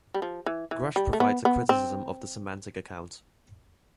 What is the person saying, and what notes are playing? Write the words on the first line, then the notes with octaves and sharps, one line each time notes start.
Grush provides a criticism of the semantic account.
G3
F3
E3
E3
G3
A3
B3
B3
C4